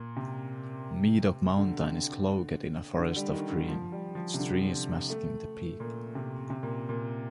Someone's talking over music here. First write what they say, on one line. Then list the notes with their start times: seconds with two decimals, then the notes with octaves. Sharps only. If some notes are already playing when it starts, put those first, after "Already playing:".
Medoc Mountain is cloaked in a forest of green, its trees masking the peak.
Already playing: A#2
0.16 C3
1.58 D3
2.98 D3
3.16 G3
3.33 D#3
3.51 D3
3.68 F3
3.92 G3
4.15 F3
4.34 C3
4.39 D3
5.10 A3
5.80 A#2
6.15 C3
6.50 C3
6.63 A#2
6.89 A#2